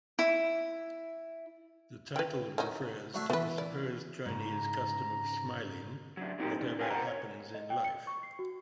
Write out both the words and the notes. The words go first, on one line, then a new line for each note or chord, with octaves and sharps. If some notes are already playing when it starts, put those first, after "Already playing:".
The title refers to the supposed Chinese custom of smiling, whatever happens in life.
E4
B4 G5
D#3 F#3 D#4
F#3 A3 D4
E3 B3 B4
D5
G#2 C#3 A#5
F#3 D4
F#3 C4 D#4 G4 A#4
B2 D#3
G#4 A#4 B4 F5 G5 G#5
A#4 C5 C#5 F#5 A#5
C#5
D#5
G5
C#7
C#6
C7
F#4